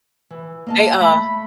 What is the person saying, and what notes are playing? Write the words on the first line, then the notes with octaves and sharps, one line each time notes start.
They are.
E3
A#3 D#5 A5
A3 B5